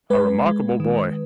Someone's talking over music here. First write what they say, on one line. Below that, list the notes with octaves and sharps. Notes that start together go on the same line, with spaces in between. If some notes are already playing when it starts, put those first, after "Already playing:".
'A remarkable boy!
G#3 B4
G#3
D#3